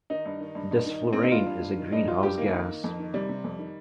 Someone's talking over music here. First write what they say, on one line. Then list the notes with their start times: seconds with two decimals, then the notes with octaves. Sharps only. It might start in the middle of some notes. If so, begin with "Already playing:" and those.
Desflurane is a greenhouse gas.
0.10 D#3 D#4
0.26 G2
0.40 D#3
0.55 G2
0.71 G2
0.86 D#3
1.01 D#3
1.13 D#3 C4
1.23 D#4
1.32 G2 F4
1.47 G2
1.62 G2
1.78 D#3
1.92 G2 D#4
2.07 G2 F4
2.23 G2 G4
2.37 D#3 A#3
2.53 D#3
2.68 D#3
2.84 F2
2.99 D#3
3.14 C3 G3
3.29 C3
3.44 F2
3.59 D#3